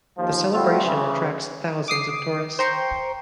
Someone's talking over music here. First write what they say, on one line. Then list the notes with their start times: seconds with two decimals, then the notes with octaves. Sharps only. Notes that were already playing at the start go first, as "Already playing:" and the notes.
The celebration attracts thousands of tourists.
0.18 D#2 F3
0.52 G3 A3 C4 F4 F#4 A4
0.84 C#3 E3
1.88 D6 D#6 C7
2.59 C5 G5 A#5 C6 C#6